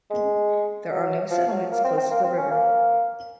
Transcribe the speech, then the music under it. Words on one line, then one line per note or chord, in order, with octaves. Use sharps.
There are no settlements close to the river.
G#3
F#3
F3
F#3
A#3
C4
C4
A#3
C4
C#4
A#3